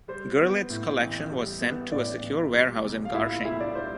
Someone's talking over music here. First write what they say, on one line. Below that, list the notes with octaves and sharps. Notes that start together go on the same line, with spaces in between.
Gurlitt's collection was sent to a secure warehouse in Garching.
G3 C5
B3
A2
A1
G3
B3
A2 D4 D5
A1
G3
B1
F5
A2 E4 E5
F4 F5
B1 E4 E5
D4 D5
G3 C5